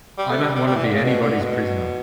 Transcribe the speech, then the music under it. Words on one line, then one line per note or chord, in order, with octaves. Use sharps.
I don’t want to be anybody’s prisoner.
G3
A3
G3
G3
G3
E3
D3
C#3
B2
D3
B2